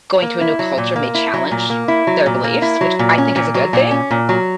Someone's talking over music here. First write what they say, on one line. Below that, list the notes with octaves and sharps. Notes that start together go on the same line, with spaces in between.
going to a new culture may challenge their beliefs, which I think is a good thing.
A#3
E4
F#3
A#2
A#3
E4
F#3
A#2
A#3
E4
F#3
A#2
A#3
E4
F#3
A#2
C#4
A#2
F#3
A#2
C#4
A#2
F#3